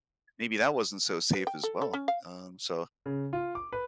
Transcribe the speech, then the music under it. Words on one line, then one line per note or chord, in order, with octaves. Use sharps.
maybe that wasn't so safe as well, um, so
B4
G5
A4
A4
C#4
F5
C#3
F4
D6
B4